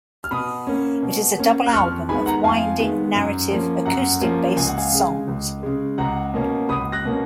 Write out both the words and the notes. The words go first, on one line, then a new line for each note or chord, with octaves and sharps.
It is a double album of winding, narrative, acoustic-based songs.
F6
B2 B5 D#6
A#3 C#4
B2
A#3 C#4
F#6
F2 C#6 F6
D#3 G#3 B3 G#5 B5
F#5 A#5
F2 F5 G#5
D#3 G#3 B3
F#2
F3 A#3 C#4
F#2 F#5 A#5
F3 A#3 C#4
C#2 G#5
F#5
F5 G#5
C#3 G#3
C#2
C#3 G#3
C#2 F#5 A#5
B2 A#3 C#4
C#2 B5 D#6
F#6 A#6
B2 A#3 C#4